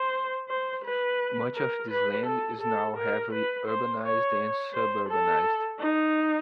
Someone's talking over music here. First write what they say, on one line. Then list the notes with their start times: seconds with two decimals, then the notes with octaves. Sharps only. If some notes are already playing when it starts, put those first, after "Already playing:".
Much of this land is now heavily urbanized and suburbanized.
Already playing: C5
0.49 C5
0.85 B4
1.56 A#4
1.91 B4
2.26 A4
2.61 A4
2.97 A#4
3.32 B4
3.68 C5
4.03 C#5
4.74 C5
5.09 A4
5.80 D#4